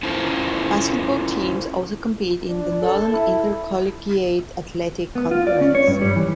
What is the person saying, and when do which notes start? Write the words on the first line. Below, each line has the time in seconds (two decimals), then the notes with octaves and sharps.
Basketball teams also compete in the Northern Intercollegiate Athletic Conference.
0.03 C#4 E4 F4 A4 A#4 C5
2.48 D4
2.82 A4
3.12 E4
5.15 B3
5.31 F4
5.47 D5
5.61 C#4
5.75 C#5
5.87 G2
6.01 G3
6.16 E3